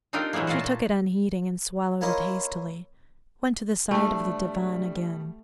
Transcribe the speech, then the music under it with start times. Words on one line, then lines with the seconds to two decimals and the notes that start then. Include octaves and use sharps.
She took it unheeding, and, swallowing it hastily, went to the side of the divan again.
0.13 C4 D4 D#4 F4 G4 A#4
0.33 A#2 E3 F#3 G#3 A#3
0.47 A#2 F4 F#4
0.60 A#2 A5
2.01 A#3 C#4 E4 F4 A#4 D#5
3.91 G2 B2 G3 A3 D4